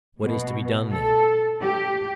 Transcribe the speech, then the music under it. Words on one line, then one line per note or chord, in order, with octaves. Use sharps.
What is to be done then?
B2
A4
G4